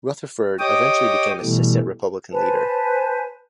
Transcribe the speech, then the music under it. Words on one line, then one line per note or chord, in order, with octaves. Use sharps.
Rutherford eventually became Assistant Republican Leader.
G4 C#5 D#5 G5 D6 D#6
B2 E3 G3 A3
B4 C5 G#5 A5